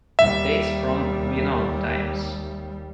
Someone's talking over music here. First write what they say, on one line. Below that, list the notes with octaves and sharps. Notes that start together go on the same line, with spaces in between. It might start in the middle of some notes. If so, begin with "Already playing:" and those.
It dates from Minoan times.
D#2 G3 E5